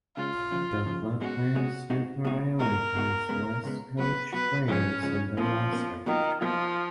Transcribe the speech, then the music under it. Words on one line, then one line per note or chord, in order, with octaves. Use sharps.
The club plans to prioritize West coach players in their roster.
C#3 G#3 C#4 F4
D#2 C#3 F3
D#2 C#3 F3
B2 G#3 C#4 F#4
B2 G#3 C#4
B2 G#3 D#4 F#4
B2 G#3 D#4 F#4
C#2 B2 G#3 D#4 F#4 A#4
C#2 B2 G#3 D#4 F#4
C#2 C#3 G#3 B3
C#2 C#3 G#3 B3
B2 F#3 B3 F#4 B4
B2 F#3 B3 F#4 B4
F2 C#3 F3 G#3 C#4
F2 C#3 F3 G#3
B2 F3 A#3 C#4
B2 A#3 C#4
B2 D#3 F#3 A#3 F4
B2 F3 F#3 A#3 F4